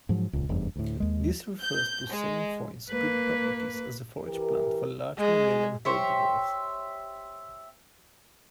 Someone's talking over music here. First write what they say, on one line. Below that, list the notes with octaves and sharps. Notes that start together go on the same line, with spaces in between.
This refers to sainfoin's good properties as a forage plant for large mammalian herbivores.
G#2 F3 F#3
D#1 C#2
F1 E2 G2
D2 A2
D#2 G#3
G6
G#3
A#3 B4
E3 G4 A#4
G#3 G#4
G4 C5 C#5 E5